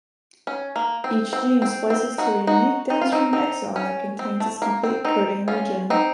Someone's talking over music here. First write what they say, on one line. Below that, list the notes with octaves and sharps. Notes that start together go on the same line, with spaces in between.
Each gene splices to a unique downstream exon that contains its complete coding region.
C#4
A#3
C4
C4
C4
C4
D#4 F#4
D#4 F#4
D#4
F4
C4 D#4
C4 D#4
C#4
C4
A3
A#3
C4
C4 D#4
C#4 F4
C4 D#4